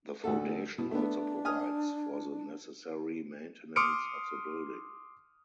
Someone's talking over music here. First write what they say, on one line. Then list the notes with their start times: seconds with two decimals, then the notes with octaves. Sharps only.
The foundation also provides for the necessary maintenance of the building.
0.24 D2 F#4 A4
0.78 B2 E4
0.91 A3 B3 D4
1.45 G#5 D#6 F6
3.76 C6 D6 D#6 F6 C#7 D7